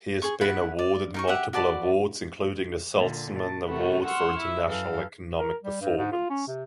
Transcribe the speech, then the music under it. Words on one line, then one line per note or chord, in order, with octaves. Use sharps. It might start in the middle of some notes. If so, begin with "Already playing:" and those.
He has been awarded multiple awards including the Salzman Award for International Economic Performance.
G#4 C#6
E4 F#5 B5
D5
D#4 A#4 C#6
G4 E5 F#5
F#4 D5 A5 B5
A#2 D3
A5
C3 D#3 A3 F#4 B4
F#5 C6 C#6 E6 F6
E4 E5
F#2 E3 A4 F5
A#4
G3
G2
G#2
F4
C#4
C3